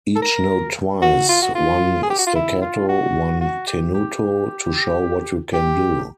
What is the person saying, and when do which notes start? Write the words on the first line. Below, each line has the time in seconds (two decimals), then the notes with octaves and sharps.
Each note twice, one staccato, one tenuto, to show what you can do.
0.16 A4
0.22 A#4
1.02 F#4
1.29 F4
1.42 F#4
1.55 F4
2.03 G#4
2.10 G4
2.19 F#4
2.27 F4
2.35 E4
2.62 F4
2.89 F#4
3.41 F#4
3.67 G4
3.94 G4
5.54 G4